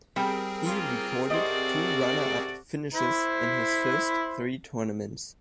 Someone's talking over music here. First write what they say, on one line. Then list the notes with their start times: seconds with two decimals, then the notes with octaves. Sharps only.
He recorded two runner-up finishes in his first three tournaments.
0.16 G3 C4 G#4 A#4 G5
0.65 A#3 F4
1.30 C3 F#4 A4 C5 D5 D#5
2.94 E4 C5 B5